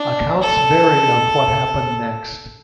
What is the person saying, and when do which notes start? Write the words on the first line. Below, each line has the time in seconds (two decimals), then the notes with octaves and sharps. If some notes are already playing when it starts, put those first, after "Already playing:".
Accounts vary of what happened next.
Already playing: D4
0.42 A4